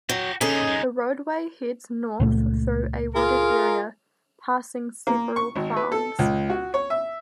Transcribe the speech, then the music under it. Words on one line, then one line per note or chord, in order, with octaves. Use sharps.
The roadway heads north through a wooded area, passing several farms.
F#3 F#4 G5
A#2 D3 C#4 D#4 G#4 A4 C#5
F#2 G#3
C#2 A#2 A3
F4 G#4 A#4
A#3
C#6
G#1
B4
A4
C#2
F#4
C#5
E5